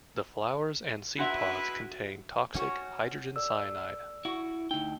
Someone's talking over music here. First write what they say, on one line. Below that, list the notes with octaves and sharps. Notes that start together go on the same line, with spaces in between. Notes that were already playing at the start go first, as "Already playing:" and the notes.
The flowers and seed pods contain toxic hydrogen cyanide.
G#3 D4 E4 F#4 B4 E5 F#5 C6
C#4 F#4
A4 D5 E6
E4 F#4
D2 D#4 G5